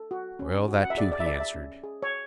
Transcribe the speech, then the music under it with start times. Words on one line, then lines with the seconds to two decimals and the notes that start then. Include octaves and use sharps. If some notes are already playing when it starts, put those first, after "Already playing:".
Well, that too he answered.
Already playing: A4
0.11 F#4
0.39 C#4
0.68 F#4
0.83 F#5
0.90 E5
0.97 G#4 D5
1.12 D5
1.20 E5
1.26 G#4 D5
1.40 E5
1.54 C#4
1.83 G#4
2.03 C#5